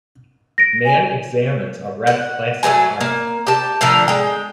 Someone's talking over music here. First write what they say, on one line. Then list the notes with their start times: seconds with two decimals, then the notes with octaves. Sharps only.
Man examines a red classic car.
0.58 A#6 D7
0.85 G#5
2.07 F#5
2.63 F#3 G3 A3 G#5
3.01 A#3
3.47 G4 A5
3.81 A2 D3 F3 A#4
4.08 G#3 G5